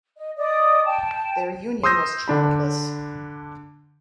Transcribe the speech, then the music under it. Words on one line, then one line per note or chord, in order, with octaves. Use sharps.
Their union was childless.
D#5
D5 D#5 D#6
G5 A5
C6 D#6 E6 G6 A#6
D3 D4 B5